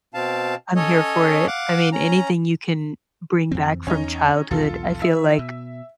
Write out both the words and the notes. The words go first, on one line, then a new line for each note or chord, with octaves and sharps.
I'm here for it. I mean, anything you can bring back from childhood, I feel like
B2 C4 F5 A5
C#4 A4 C#5 D#5
F5 F#5 D6
C#4 A#5
F2 E3 C4
E2 C#4 D#4
B1 E2 G2 F4 A4
E3 E5
B2